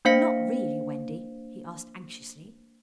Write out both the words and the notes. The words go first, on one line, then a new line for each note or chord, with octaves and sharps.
'But not really, Wendy?' he asked anxiously.
A#3 D4 C5 F5 B6 C#7